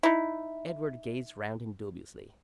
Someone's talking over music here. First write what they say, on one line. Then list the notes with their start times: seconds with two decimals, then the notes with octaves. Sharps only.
Edward gazed around him dubiously.
0.03 D#4 E4